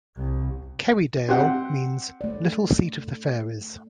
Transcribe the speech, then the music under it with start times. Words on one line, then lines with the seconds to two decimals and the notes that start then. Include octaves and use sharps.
Kerrydale means "little seat of the fairies".
0.17 C2
1.29 C4 G4 F#5
2.21 A3 D5